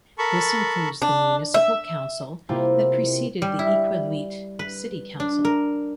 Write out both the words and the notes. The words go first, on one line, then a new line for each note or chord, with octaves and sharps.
This includes the municipal council that preceded the Iqaluit City Council.
A4 A#4 A5 B5 C#6
D4
E5
C3 A#3 C4 E4 F4 G4
G3
E4
B4
D4
A#4